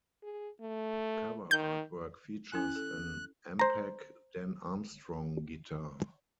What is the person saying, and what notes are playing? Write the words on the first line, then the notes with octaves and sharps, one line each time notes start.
The cover artwork features an Ampeg Dan Armstrong guitar.
G#4
A3
D#3 G6
C#4 E4 G#5 F#6
A4
C5 A#5